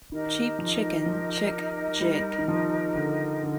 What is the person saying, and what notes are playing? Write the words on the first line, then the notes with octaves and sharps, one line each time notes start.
Cheap chicken chick jig.
D#3 D#4 G4 A#4 D#5
F3
F3
G3
D#3
F3
D3
D3